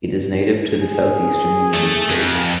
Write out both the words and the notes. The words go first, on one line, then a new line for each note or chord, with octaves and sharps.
It is native to the Southeastern United States.
G#4
A3 A4
F2